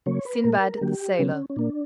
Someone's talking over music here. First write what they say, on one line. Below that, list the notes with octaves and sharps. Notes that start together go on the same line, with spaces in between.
"Sinbad the Sailor."
C#3 F#3 A#3 C#5
B4
A#2 A#3 A#4
D3 F#3 A#3 G4
C#3 F#3 B3 C#4
C#4
A#2 A#3 D4